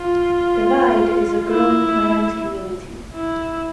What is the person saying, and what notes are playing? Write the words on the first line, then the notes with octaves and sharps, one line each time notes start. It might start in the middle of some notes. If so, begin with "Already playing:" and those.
Divide is a growing, planned community.
Already playing: F4
E4
E4